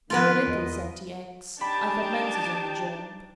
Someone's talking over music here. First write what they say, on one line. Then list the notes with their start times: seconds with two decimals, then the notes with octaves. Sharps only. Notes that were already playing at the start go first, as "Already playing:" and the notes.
"Very little," said T. X. "I've had Mansus on the job."
0.10 D#3 F3 B3 F4 A#4 B4
0.47 E2 D#5
1.61 D4 D#4 G4 G5 A5 B5